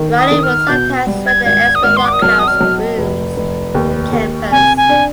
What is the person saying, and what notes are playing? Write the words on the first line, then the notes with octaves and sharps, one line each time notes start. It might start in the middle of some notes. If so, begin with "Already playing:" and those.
Riley would sometimes rent the extra lock house rooms to campers.
Already playing: D#3
D#6
D#3
F6
B2 G6
G3
G#6
G#1 G#6
D#6
G#1 F6
C6
D6
D#6
B1 F6
D#6
F6
B1
F1
F1
D#2
D#2
C3 G#5
G#5
D4